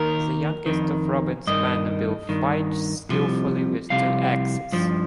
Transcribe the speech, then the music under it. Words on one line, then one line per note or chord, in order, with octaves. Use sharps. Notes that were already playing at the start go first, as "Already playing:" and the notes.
The youngest of Robin's men, Will fights skilfully with two axes.
Already playing: D#2 D#3 A#4
F2 D#3
G2 D#3 D#5
G2 D#3
C2 C3 F3
C2 C3 F3 F5
G2 F3